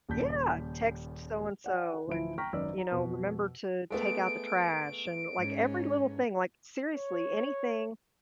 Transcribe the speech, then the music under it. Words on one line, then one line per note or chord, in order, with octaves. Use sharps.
Yeah. "Text so and so," and, you know, "remember to take out the trash," and, like, every little thing, like, seriously, anything
D#1 D#2 C#3 A5 G6 B6
D5 F#5 G#5
D1 E3 F3 E4 D7
G5 A#5 C#6 F6 A#6 B6
G#1 F#2 D#4 B4 D5 E6
A#5
F2 B2
G#3 A3 B3 D7
G#2 C#4
C#5